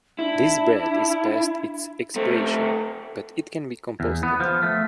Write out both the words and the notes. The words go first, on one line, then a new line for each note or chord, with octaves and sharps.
This bread is past its expiration, but it can be composted.
D4 E4
A3 C4 A4
E2
B3
F3
A3